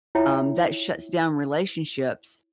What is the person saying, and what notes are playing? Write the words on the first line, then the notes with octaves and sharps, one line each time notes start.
Um, that shuts down relationships
E4 F4 C#5 E5 G5